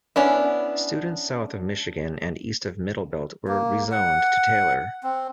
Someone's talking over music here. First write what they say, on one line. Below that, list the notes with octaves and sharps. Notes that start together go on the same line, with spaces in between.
Students south of Michigan and east of Middlebelt were rezoned to Taylor.
B3 C#4 D4 E4
A#3
F#5
C4